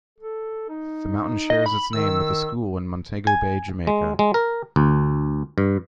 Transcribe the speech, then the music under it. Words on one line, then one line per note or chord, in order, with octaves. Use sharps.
The Mountain shares its name with a school in Montego Bay, Jamaica.
A4
D#4
D#5
B5
D#3 E6
G#5
G#3
G#3
A#4
D2
G2